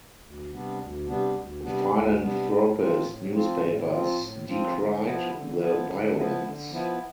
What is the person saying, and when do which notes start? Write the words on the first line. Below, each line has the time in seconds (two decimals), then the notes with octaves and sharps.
Philanthropist newspapers decried the violence.
0.22 D2
0.51 C3 G3 B3 D4
0.79 D2
1.07 C3 G3 B3 D4
1.35 D2
1.63 C3 G3 B3 D4
1.91 D2
2.20 C3 G3 B3 D4
2.48 A2
2.76 F3 C4 F4
3.04 A2
3.33 F3 C4 F4
3.61 A2
3.88 F3 C4 F4
4.17 A2
4.45 F3 C4 F4
4.73 D3
5.02 F3 B3 E4
5.30 D3
5.58 F3 B3 E4
5.87 D3
6.14 F3 B3 E4
6.43 D3
6.70 F3 B3 E4